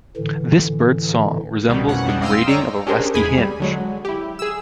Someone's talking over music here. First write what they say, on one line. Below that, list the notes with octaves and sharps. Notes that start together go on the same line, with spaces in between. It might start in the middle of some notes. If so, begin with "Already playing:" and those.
This bird's song resembles the grating of a rusty hinge.
A2 D3 E3
C2 B2 D#3 G3
A1 F2 B2 C#4 F#5
F2 G3 G#3 D4
D#5 F5 G5 C6 E6
C#5 D5 A#5
C#4 D4 G4 G#4 A#4 C5
E2 G#3 G#4 G#5 B5
G3
D3 F#3 G#3
E4 G4
G#4 E6